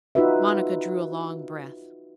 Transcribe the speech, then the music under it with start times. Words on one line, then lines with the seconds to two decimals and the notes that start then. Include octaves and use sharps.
Monica drew a long breath.
0.15 D#4 F4 F#4 B4 E5